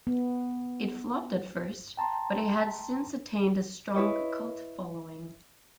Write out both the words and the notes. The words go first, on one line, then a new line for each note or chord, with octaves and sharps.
It flopped at first, but it has since attained a strong cult following.
B3
G5 A5 A#5 C6
E4 B4 C#5 D#5